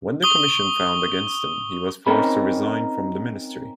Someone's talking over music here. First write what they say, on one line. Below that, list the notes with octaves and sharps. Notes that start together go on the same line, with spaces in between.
When the Commission found against him, he was forced to resign from the ministry.
C#6 D#6 G7
C4 C#4 D#4 A#4 B5